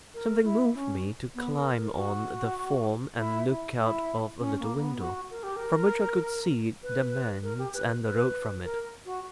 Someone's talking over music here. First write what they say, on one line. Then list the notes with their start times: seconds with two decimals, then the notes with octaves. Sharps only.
Something moved me to climb on the form and look out of a little window, from which I could see the manse and the road from it.
0.14 A#4
0.44 E4
0.74 C#4
1.35 B3
1.55 A#4
1.76 A#4
1.96 F#4
3.18 E4
3.48 E4
3.78 E4
4.39 C#4
4.59 A#3
4.79 B3
4.99 F#4
5.30 A#4
5.43 G4
5.56 A#4
6.83 B4
7.43 A#4
7.58 G4
7.73 B4
8.04 B4
8.64 A#4
9.05 F#4